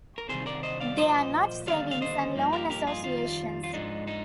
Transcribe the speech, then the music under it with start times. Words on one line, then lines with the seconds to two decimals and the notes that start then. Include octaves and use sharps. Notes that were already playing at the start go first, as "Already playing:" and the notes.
They are not savings and loan associations.
0.18 A#4
0.29 C3 D#3 G3 C4 G#4 C5
0.46 A#4 D5
0.63 C5 D#5
0.81 D5 F5
0.98 A#2 F3 A#3 C5 D#5
1.67 D#2 D3 G3 D5 F5
1.91 F5
2.01 C5 D#5
2.35 G2 F3 A#3 D#4
2.53 G4 A#4
2.70 G4 A#4
2.87 F4 G#4
3.04 F2 D#3 G3 F4
3.64 F4
3.73 G#2 F3 G#3 D4 D#4
4.08 D#4